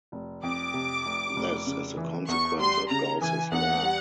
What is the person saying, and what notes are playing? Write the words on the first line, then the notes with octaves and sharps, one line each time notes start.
This is a consequence of Gauss's law.
F1
F2 D6
C3
F1
F1
C#3
E3
E2 C#6
G3 C6
C#3 A#5
E3 G#5
E2 F#5
G3